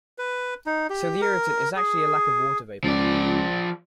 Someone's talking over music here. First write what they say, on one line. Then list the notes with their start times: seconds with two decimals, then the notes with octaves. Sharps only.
So the irritant is actually a lack of water vapour.
0.18 B4
0.66 D#4
0.90 G4
1.21 A#4
1.76 G#4
2.84 C#2 F3 D5